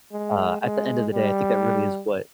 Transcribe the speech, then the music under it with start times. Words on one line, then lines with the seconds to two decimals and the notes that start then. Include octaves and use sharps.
uh, at the end of the day, I think that really is what
0.12 G#3
0.62 G#3
1.12 G3